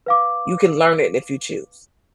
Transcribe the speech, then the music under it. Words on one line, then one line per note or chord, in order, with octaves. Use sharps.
You can learn it if you choose.
B4 F5 D6